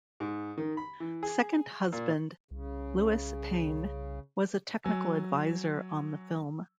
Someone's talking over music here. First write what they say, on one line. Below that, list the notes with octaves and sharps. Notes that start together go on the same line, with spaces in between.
Second husband Louis Payne was a technical adviser on the film.
G#2
D#3
B5
E3
G#4
A#2
C2 C#3
F#3 G#5 E6